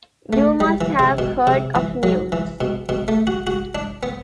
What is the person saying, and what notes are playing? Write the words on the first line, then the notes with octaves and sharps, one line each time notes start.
You must have heard of newts.
A3
G3
E3
C3
B2
C3
E3
F#3
E3
B2
B2
A3
F#4
F#4
D4
B3